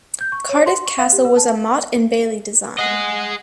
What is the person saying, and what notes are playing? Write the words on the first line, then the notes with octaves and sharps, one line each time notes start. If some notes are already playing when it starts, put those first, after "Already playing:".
Cardiff Castle was a motte-and-bailey design.
G6
C#6
C#5
C6
C#6
F5
G4
B4
A5
G#4 D#5 F#5